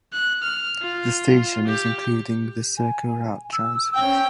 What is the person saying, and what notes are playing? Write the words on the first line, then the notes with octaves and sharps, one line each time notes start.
This station is including the CircleRoute transfers.
F#6
F6
F4
G4
G#5
E6
C#4 G5